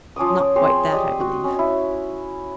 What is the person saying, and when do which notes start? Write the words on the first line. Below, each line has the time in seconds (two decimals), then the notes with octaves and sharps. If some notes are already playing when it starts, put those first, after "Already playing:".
"Not quite that, I believe."
0.16 F3 C#4 D6 D#6
0.56 C4 G#4 C5 C#5
0.92 G4 D5 D#5
1.20 F#4
1.44 C#4
1.59 E4